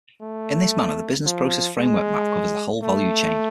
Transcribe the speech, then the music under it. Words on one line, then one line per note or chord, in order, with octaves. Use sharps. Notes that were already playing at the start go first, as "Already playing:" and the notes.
In this manner the Business Process Framework map covers the whole value chain.
A3
F3
G#3
A3